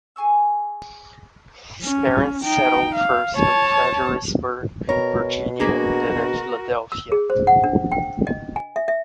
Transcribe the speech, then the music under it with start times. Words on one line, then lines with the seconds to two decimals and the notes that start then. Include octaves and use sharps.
His parents settled first in Fredericksburg, Virginia, and then at Philadelphia.
0.16 G#4 G#5 C#6 E6
1.83 C#4
2.44 D#4 G5
2.95 F5
3.36 C#5 A5
4.89 B2 A#4 C#5
5.60 A#3 D4 F#4 G#4 A#4
6.92 E6
7.12 G#4
7.30 C5
7.47 F#5
7.64 D4
7.92 G5
8.27 D#5
8.56 G#5
8.76 E5
8.88 E5